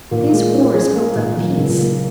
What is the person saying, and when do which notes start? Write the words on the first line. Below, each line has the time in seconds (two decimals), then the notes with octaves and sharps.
These wars build up peace.
0.11 A#2
0.33 G#3
0.54 C#4
0.74 G#4
0.95 A#3
1.15 A#2
1.37 F#3
1.57 C#2
1.78 A#3